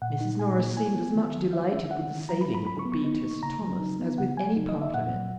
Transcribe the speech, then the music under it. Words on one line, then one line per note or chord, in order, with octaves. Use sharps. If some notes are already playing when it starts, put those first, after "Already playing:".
Mrs. Norris seemed as much delighted with the saving it would be to Sir Thomas as with any part of it.
A#2 F#5
D#4
A#2 G#5
A#3
E4 G#5
B3
D#3
F#3
E4 E5
C#4 E5
D#3 F#5
G#3
F#3 A#5
B5
E4
B5
F#3 B5
C#6
B3
C#6
D#4
A#3
C#3 A#5
F#3
D#4
B3
C#3 F#5
F#3 G#5
D#4
D#5
A#3
E5
A#2 F#5
F#3